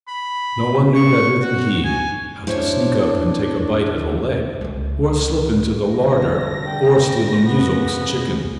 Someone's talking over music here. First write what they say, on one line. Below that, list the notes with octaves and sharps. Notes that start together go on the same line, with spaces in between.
No one knew better than he how to sneak up and take a bite at a leg, or slip into the larder or steal a muzhik's chicken.
B5
C#6
F#4
G#5
D4 E4 C5 C#5
C#2 A3
A#1 G2 D3 A#6
G5
F2 C#3 B3